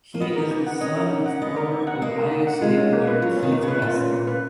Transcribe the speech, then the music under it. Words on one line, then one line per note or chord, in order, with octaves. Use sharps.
He is the son of former Ohio State player Keith Wesson.
A#3
B3 D#5
A#4
D#4
F#5
C#4 D#5
A#4
D#4
F#5
B3 D#5
A#4
D#4
F#5
A#3 D#5
A#4
D#4
F#5
G#3 F4
C#4
A#3
B4
F#3 F4
C#4
D#3
A#3
C#3
B4
A#2 F4
C#4
A#3
B4